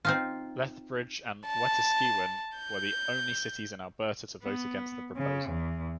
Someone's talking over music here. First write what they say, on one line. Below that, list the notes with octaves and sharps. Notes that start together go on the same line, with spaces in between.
Lethbridge and Wetaskiwin were the only cities in Alberta to vote against the proposal.
C4 D#4 F4
A5
G6
B3
C#3
E2